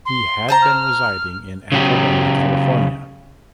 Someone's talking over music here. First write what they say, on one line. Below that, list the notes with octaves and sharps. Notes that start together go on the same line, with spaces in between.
He had been residing in Apple Valley, California.
C6
C5 A5 A#5
F6
C#3 F#3 G4